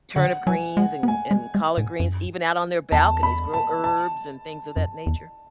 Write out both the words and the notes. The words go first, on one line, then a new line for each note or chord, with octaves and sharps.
turnip greens and and collard greens even out on their balconies, grow herbs and things of that nature.
D3 F#5
F#3 G#5
G#3 F#5
B3
A3 G#5
G#3
G#3
A2
F#2
E2 A5
B5
A5
A5
F#2
E2